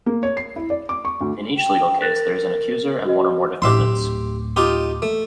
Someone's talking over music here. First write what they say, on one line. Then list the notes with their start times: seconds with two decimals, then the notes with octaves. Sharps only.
In each legal case there is an accuser and one or more defendants.
0.06 A#3
0.23 C#5
0.37 C7
0.56 E4
0.70 D5
0.89 D6
1.05 C#6
1.21 D2
1.56 G5
2.02 A#4 F#6 A6 A#6
3.05 F#4 D#5
3.62 A1 G4 E5 C6
3.80 D1
4.56 D#4 F4 G4
5.02 A3